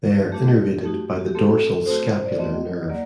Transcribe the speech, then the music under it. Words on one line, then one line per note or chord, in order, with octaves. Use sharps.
They are innervated by the dorsal scapular nerve.
A3 D4 F#4 G4
A3 D#4 F#4
F#4
G4
A3 C4 F#4 A4
A3 C4 F#4 C5
D5
A3 C4 F#4 D#5
F#3 A#3 D5